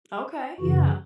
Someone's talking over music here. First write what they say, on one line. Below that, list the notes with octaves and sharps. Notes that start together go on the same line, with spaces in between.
Okay, yeah.
F#2 C#3 E3 F#4